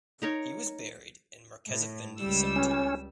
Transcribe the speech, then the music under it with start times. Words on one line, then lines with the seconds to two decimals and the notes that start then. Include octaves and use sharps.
He was buried in Merkezefendi Cemetery.
0.22 D#4 A#4 C#5
1.68 A2
2.20 C#2 G3 E6
2.56 C#4